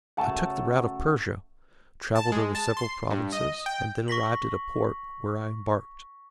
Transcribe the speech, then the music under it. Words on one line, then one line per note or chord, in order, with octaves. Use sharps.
I took the route of Persia, travelled over several provinces, and then arrived at a port, where I embarked.
C#3 F#3 A3 F#5 G#5 A5
A5
G#3
A5
C6
G2
D#5
G5
C#6 A#6 B6 F#7